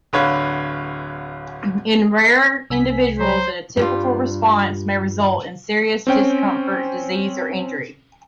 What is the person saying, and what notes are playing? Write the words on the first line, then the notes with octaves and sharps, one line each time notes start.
In rare individuals an atypical response may result in serious discomfort, disease, or injury.
D1 D3 B4 C#5 F5
C2 G#5 E6 B6
F#3 C5 C#5 A#5
G2 G3 F4
C4 C#4 G5